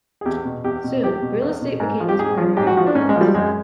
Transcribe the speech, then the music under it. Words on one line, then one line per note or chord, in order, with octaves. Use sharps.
Soon, real-estate became his primary focus.
G#4
E2 G4
B2
E2 G4
B2
E2 G4
B2
E2
B2
G#2
F3
G4
G#2 G#4
F3
G#2 G4
F#4
F3 F#4
D4
G#2 C#4
G#3
F3
G3
F#2 G#3